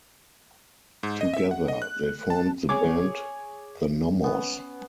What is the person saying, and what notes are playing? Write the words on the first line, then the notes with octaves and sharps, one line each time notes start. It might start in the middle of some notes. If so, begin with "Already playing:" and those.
Together they formed the band "the Nommos".
G#2
D#5
E5
F#5
D#5
F#6
A5
G#4 C#5 D6
B3 C#4